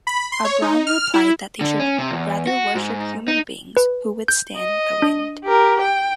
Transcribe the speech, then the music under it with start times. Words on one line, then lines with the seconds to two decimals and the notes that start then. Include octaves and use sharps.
Abram replied that they should rather worship human beings, who withstand the wind.
0.07 B5
0.32 C6
0.45 C#5
0.62 D#4
0.87 F6
1.14 E4
1.61 D3
1.79 C#4
1.99 C3
2.11 E2
2.47 F#4
2.75 G#2
3.28 D#4
3.77 B4
4.28 G6
4.57 D#5
5.02 D4
5.45 G4 A#4
5.81 G5